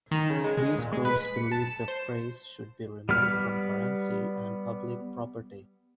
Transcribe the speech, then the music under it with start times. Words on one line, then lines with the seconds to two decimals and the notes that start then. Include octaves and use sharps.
These groups believe the phrase should be removed from currency and public property.
0.11 D#3
0.30 C#3
0.44 G#3
0.57 G#3
0.79 A#2
0.92 G#3
1.05 B4
1.21 B6
1.36 C#7
1.52 A5
1.67 E7
1.88 C5
3.09 G3 B3 F6